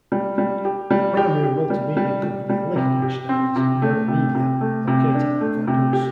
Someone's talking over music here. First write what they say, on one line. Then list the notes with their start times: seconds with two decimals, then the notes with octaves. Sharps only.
The primary multimedia company in Liechtenstein is ManaMedia, located in Vaduz.
0.12 G3
0.38 G3
0.65 G4
0.90 G3
1.17 G4
1.43 G4
1.70 G3
1.97 G3
2.23 G3
2.49 G3
2.76 C3
3.02 G4
3.29 C4
3.56 C3
3.82 A3
4.08 C3
4.35 C3
4.61 A3
4.87 C3
5.14 D4
5.41 A3
5.67 C3
5.93 G4